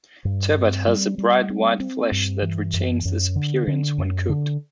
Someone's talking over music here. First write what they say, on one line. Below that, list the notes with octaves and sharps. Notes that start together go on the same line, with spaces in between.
Turbot has a bright white flesh that retains this appearance when cooked.
G2
C4
G3
G3
C4
C4
G2
E3
F#2
F#2
D3
D3
F#2
D3